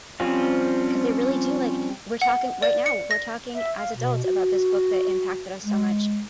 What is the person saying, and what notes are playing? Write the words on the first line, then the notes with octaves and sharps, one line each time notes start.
'cause they really do, like we're talking right now, we're talking as adults about this book that impacted us so much
F3 G3 C4 C#4 F4
F#5
D5
C#7
A#6
E5
F5
B2
F#4
G#3